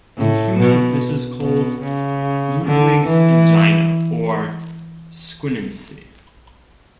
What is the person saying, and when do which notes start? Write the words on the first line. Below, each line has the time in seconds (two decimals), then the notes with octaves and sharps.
In humans, this is called Ludwig's angina, or squinancy.
0.17 A2
0.58 B2
1.41 B2
1.82 C#3
2.65 D3
3.06 E3